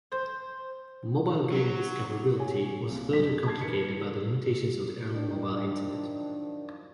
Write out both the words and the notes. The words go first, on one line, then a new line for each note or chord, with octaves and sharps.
Mobile game discoverability was further complicated by the limitations of the early mobile internet.
C5
F#3
C#5 G#5
C2 A#3
F#2 B6
A5 G#6 C7
E3 A#4 B4 C#7
F#2 D#3 F3 D4